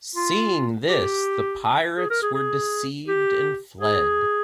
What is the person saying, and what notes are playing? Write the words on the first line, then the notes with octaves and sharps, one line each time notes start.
Seeing this, the pirates were deceived and fled.
F4
G4
G#4
A#4
G#4
G#4
G4
G#4